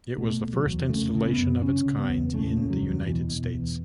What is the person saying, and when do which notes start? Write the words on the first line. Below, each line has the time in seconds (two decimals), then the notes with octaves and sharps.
It was the first installation of its kind in the United States.
0.18 B2 A3
0.42 B2
0.53 F#3
0.66 E2
0.89 C#3 A3
1.14 C#3
1.25 B3
1.38 F#2
1.62 C#3 C#4
1.86 C#3
1.98 B3
2.10 E2
2.34 C#3 A3
2.57 C#3
2.70 F#3
2.82 E2
3.06 B2 E3
3.29 B2
3.54 E2